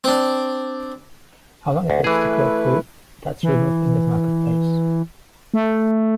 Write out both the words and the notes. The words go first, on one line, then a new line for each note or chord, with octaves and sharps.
How long it takes to grow food - that's removed in the marketplace.
C4 D4
D2
E3 A3 E4 G#4 B4
E3
A3